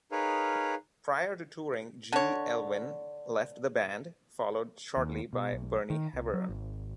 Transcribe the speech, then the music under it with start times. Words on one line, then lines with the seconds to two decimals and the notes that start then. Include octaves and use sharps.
Prior to touring, G. Elwyn left the band, followed shortly by Bernie Heveron.
0.12 D#4 G#4 A#4 B4 C#5 F5
2.12 D3 C#5
4.97 D#2
5.33 B2
5.52 B1
5.90 D#3
6.13 C2
6.33 F#3
6.49 G#1